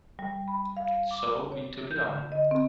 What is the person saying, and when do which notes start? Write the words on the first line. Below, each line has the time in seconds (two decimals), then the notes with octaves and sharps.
So we took it on.
0.19 G3
0.48 B5
0.77 F5
1.11 D6
1.52 C#5
1.91 G6
2.09 D3
2.32 D#5
2.51 C4